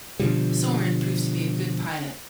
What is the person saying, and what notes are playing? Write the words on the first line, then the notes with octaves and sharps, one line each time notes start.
Soren proves to be a good pilot.
B2 D3 F3 G3